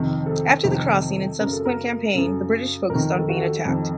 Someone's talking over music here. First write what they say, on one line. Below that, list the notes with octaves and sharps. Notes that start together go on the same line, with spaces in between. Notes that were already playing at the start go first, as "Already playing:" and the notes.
After the crossing and subsequent campaign, the British focused on being attacked.
Already playing: F2 C3 D#3
A4
F2 C3 D#3
F#2 C#3 A#4
A4
A#4
F#2 C#3 A4
F2 A#4
D#3
A4
F#4
A4
F2 D#3 A4